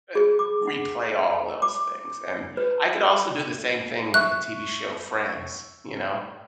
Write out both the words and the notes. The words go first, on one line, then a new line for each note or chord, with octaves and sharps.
uh, replay all those things. And I could also do the same thing with the TV show Friends, you know?
G#4
D6
F#5
D6
B4
E5 C#6 F#6